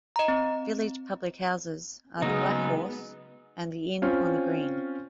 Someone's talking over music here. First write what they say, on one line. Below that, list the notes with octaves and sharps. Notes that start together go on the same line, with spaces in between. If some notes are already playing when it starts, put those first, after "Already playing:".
Village public houses are the Black Horse and the Inn on the Green.
D#5 A#5
C4
C#3 F#3 G#3 B3 D#4
C4 C#4 F4